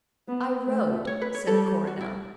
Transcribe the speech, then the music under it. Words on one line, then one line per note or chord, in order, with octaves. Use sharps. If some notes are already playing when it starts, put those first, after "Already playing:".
"I rode," said Coronel.
B3
A3
C#5
B4
C#5
G3 A4
F#4
E4